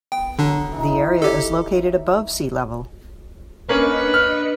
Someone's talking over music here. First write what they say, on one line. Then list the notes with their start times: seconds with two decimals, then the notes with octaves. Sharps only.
The area is located above sea level.
0.12 B3 G5
0.39 D3 F#3 D4
0.72 E3 D#4
1.22 G4 A4
3.69 A#3 C#4 D4 B4 D#5 C#7
4.14 F6